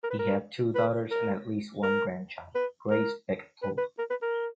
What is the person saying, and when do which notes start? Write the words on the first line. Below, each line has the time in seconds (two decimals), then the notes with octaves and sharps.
He had two daughters and at least one grandchild, Grace Bechtold.
0.03 A#4
0.11 B4
0.19 A#4
0.75 B4
1.11 A#4
1.83 A#4
2.55 B4
2.91 A#4
3.63 B4
3.78 B4
3.99 A#4
4.10 B4
4.22 A#4